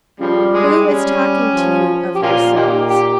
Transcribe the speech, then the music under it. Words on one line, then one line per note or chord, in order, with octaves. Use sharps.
Who is talking to you of yourselves?
C#3 F3 G3
G#3
G3 C#4
F3
G4
A#2 A#3 C#4 F4
A#3 D#4 G4
G4